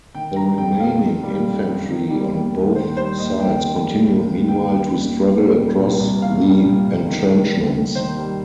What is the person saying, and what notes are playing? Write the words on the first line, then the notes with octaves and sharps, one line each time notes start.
The remaining infantry on both sides continued meanwhile to struggle across the entrenchments.
D#3 G5
G3 A#5
F2 G5
F2 F5
D#3
G3
F2
F2
D#3
G3
D#2
D#2
D#3 C5
G3 C5
D#2 D#5
D#2 G5
D#3
G3
D#2
D#2
D#3 G5
G3
D#2
D#2
A#2
G3
C2
C2
A#2 F5
G3
C2
C2
D#3
G3
D#2
D#2
D#3 C5
G3